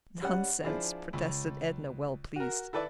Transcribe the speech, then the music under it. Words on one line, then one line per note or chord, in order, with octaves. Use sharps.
"Nonsense!" protested Edna, well pleased.
G3 C#4 F#5
F3 D4 E4 F4 G#4
C#2
F#4 A#4
E4 A4 B4 D5 E5